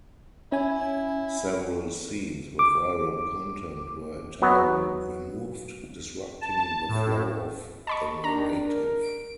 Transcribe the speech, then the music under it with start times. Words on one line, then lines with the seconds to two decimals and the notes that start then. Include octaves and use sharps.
Several scenes with violent content were entirely removed, disrupting the flow of the narrative.
0.52 C#4 E4 G#5
2.59 D6
4.42 F#3 B3
6.41 A5
6.89 A2
7.87 D#5 A5 B5 C#6
8.24 D#3 D4 A#5
8.64 A#4
9.02 D7